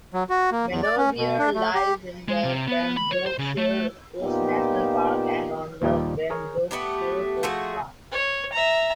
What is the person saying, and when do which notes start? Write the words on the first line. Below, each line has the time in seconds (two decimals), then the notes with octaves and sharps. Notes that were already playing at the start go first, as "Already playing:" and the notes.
Manorbier lies in the Pembrokeshire Coast National Park and on the Pembrokeshire Coast Path.
0.14 F#3
0.30 F#4
0.52 A#3
0.70 E2
0.83 D5
0.98 C#4
1.18 B2
1.39 D4
1.55 A3
1.75 G4
2.28 G#3
2.44 C3
2.68 B3
2.97 B5
3.11 C#5
3.26 C5
3.38 C#3
3.57 A3
4.21 A#2 B3 D#4 F4 G4
5.82 D#2 A#2 F3 G3 D#4 D5
6.30 G#4 A#4 C#5
6.71 A3 B3 D#4 G4
7.43 F3 A3 F#4 G#4
8.12 C#5
8.53 E5 A#5